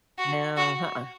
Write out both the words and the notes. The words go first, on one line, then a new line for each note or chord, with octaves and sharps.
No, uh-uh.
F#4
F#4